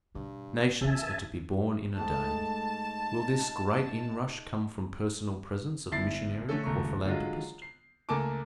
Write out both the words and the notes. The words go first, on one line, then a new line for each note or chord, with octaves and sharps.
"Nations are to be born in a day." Will this great inrush come from personal presence of missionary or philanthropist?
G2 B2 D3
C#3 E3 C#4 E5 G#5 A5
G#2 A3 G5 A5
G1 E4 A6 C7
D3 A3 C#4 A4
D#1 C#2 A3 A#5 C#6
D3 F#3 G#3 F4
C7
C#2 A3 A#3 G#5 A5 D6